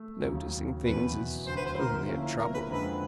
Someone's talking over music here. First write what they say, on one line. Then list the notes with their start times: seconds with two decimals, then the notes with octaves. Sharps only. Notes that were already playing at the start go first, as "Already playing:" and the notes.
Noticing things is only a trouble.
Already playing: A3
0.24 D#2 C#3 F#3
0.85 E2 B2 F#3 B3 B4
1.47 D2 D3 F#3 C5
1.56 B4
1.66 C5
1.78 A#4
2.08 F3 A#3 C#4 E4
2.39 A#4
2.54 B4
2.70 F2 D3 F3 G#3 C4 B4